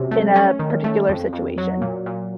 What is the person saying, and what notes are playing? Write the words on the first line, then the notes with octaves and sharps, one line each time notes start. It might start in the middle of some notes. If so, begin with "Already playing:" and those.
in a particular situation.
Already playing: C3 F#3 C#4
A3
C#4
D#3
A3
F2
F2
F#3
A#2
A#2